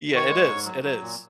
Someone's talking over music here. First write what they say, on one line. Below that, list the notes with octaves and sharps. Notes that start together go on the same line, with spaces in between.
Yeah, it is, it is,
D#3
C#5 C#6
G#3
G#2
F#3
F#3
A#2